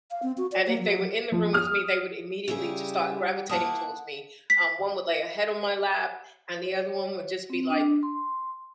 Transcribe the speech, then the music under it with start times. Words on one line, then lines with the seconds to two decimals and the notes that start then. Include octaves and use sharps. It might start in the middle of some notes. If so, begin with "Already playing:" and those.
And if they were in the room with me, they would immediately just start gravitating towards me. Um, one would lay a head on my lap, and the other one would just be, like,
0.11 F5
0.23 C4
0.38 F#4
0.52 D5
0.67 A#3
0.80 F#3
1.32 F3
1.53 D#6 F6
2.48 C#3 G3 E4 G#4
3.49 A#3 E4 F#5 A5 D#6
4.50 B6
6.66 C#5
7.50 C4
7.70 D4
8.03 C6